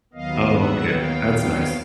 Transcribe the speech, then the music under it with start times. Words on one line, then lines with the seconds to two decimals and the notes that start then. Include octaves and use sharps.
Oh, okay. That's nice.
0.13 D#2 D#3 F#3 B3 D#5 F5
0.53 E5 F#5
0.93 F5 G5